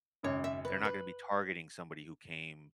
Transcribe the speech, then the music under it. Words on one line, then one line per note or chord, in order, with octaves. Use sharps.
They're not gonna be targeting somebody who came,
G#1 F#2 C#3 C#5
E5
B4
B4